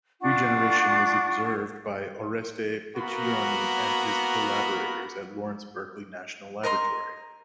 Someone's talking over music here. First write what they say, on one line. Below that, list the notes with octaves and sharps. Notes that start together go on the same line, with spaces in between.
Regeneration was observed by Oreste Piccioni and his collaborators at Lawrence Berkeley National Laboratory.
D4 F4 F#5 C#6
A#3 B3 F#4 A#4 B5
A#4 D#5 A#5 C6